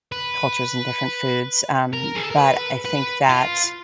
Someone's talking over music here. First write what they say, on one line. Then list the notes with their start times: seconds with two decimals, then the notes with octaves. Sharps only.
cultures and different foods, um, but I think that
0.12 B4
1.94 A#4
2.17 G#4
2.24 A4
2.31 A#4
2.39 B4
2.85 B4
3.30 F4